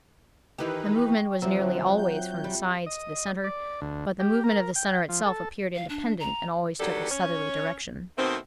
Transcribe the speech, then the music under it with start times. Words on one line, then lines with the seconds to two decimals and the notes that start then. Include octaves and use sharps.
The movement was nearly always from the sides to the centre; but the movement of the centre itself appeared independent, and always took a southerly direction.
0.58 D#3 E3 D#4 G4 B4
0.95 G5 C#6
1.42 D3 F3 F#3 C4 F4 E5 G5
1.97 G6
2.44 G3
2.86 D#5
3.44 D5
3.81 D2
4.19 G4
4.44 A#4
4.76 G5
5.09 F3
5.25 A4
5.75 F5
5.89 D4
6.20 A#5
6.80 D#3 F#3 G3 B3 D4 A4
7.11 C#4 C#5
8.17 B2 D#3 A3 C4